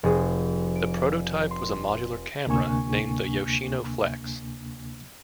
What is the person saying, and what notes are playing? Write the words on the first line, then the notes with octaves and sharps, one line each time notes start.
The prototype was a modular camera named the "Yoshino Flex".
F1 G#4 C5
D7
C6
D2 C3 A#3 D4 G#5 C#6